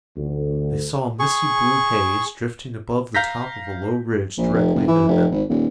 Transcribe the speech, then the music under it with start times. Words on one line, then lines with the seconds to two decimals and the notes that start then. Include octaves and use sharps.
They saw a misty blue haze drifting above the top of a low ridge directly ahead of them.
0.17 D2
1.19 G#4 C#6
3.15 F5 A#5 G6 A#6 B6
4.37 A#1
4.54 F1
4.74 F#1
4.87 E3
5.08 F1
5.31 G#1
5.49 D#1